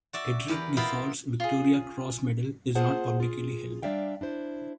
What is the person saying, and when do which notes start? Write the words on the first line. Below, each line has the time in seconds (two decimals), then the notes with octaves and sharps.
Edric Gifford's Victoria Cross medal is not publicly held.
0.13 F#4 D5 E5
0.48 E2 G4 A#4 B4
0.77 B3 E4 F4 A#4 C5 B5
1.40 F4 G#4
2.75 A#3 F4 G#4 C5 F#5 A5
3.20 F4 G#4
3.83 G3 D4 D5 E5 F5 G5
4.21 D4 E4 C5